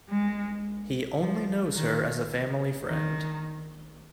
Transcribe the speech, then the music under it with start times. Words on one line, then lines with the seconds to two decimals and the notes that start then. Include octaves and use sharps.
He only knows her as a family friend.
0.09 G#3
1.20 F3
1.76 D#3
2.87 D#3